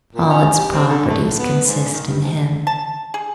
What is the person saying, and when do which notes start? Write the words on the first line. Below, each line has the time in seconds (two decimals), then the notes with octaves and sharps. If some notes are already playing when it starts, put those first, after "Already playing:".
All its properties consist in him.
0.15 A#2
0.30 C#4
0.56 G3
0.73 C4
0.87 D3
1.09 A3
1.23 A2
1.39 B3
1.65 G#2
1.91 D#3
2.08 G2
2.21 G#2
2.67 A5
3.14 G#4